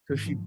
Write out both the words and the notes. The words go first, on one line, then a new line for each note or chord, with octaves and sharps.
So she
G#2 D#3
F3